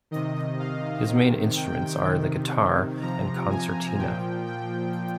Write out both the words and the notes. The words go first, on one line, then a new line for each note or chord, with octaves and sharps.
His main instruments are the guitar and concertina.
C3 D#3 D#5
F5
C3 D#3
G5
C3 D#3
C3 F3 A#5
G#5
A#2 F3 G5
G5